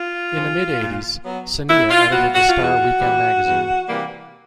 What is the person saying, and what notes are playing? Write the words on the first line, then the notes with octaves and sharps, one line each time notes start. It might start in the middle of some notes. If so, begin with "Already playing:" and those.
In the mid-eighties, Saneeya edited The Star Weekend magazine.
Already playing: F4
C#3 F3
A#2
F#3 B3
A#2 E4
F4
F#3 B3 F#4
F#4
F4
E2
F#4
C3 E3 G3 A#3
E2
C3 E3 G3 A#3